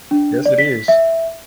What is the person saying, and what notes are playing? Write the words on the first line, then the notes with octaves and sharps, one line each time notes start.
Yes, it is.
D4
D5
B6
E5